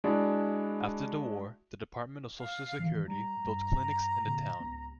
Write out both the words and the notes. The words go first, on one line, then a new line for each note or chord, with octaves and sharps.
After the war, the Department of Social Security built clinics in the town.
G#3 D4 E4 F#4 D5
F5
E2 D#3 E3
G3 A#5
G2
A#2 D3
C#2 B3